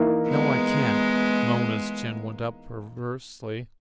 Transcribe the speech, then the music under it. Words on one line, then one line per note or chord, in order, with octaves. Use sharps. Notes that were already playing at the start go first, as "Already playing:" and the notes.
"No, I can't." Mona's chin went up perversely.
Already playing: E3 A#3 D#4 A#4 E5
G#3 B3